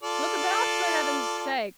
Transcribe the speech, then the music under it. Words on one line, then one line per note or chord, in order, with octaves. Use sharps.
Look about, for heaven's sake!
F4 A4 D5